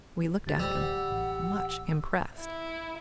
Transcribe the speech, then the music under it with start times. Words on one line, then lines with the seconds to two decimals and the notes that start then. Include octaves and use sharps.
We looked at him, much impressed.
0.47 D1 D2 F3 G4 A6
0.60 G3 C5 E6
0.80 F#5
1.10 A1
2.37 E4